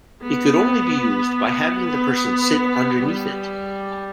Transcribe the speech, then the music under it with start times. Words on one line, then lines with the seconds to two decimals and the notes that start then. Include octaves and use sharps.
It could only be used by having the person sit underneath it.
0.23 B3
1.87 B3
2.96 G3